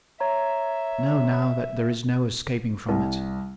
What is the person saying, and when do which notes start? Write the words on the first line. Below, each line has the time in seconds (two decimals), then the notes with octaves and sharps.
I know now that there is no escaping from it.
0.20 C#5 E5 A#5
2.89 C2